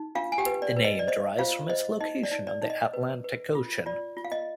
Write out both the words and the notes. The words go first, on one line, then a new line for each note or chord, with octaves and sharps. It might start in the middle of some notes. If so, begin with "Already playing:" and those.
The name derives from its location on the Atlantic Ocean.
Already playing: D#4
D4 F4 F5
G#5
G4 G5
B4
D5
B4
D#5
D5
C5 D#5
F4 C5 F5
C5 D#5
D#4 D#5
D5
D#4
D5
D#4
D#5
B4
B4
F4
F4 D5
F4
F5
D#5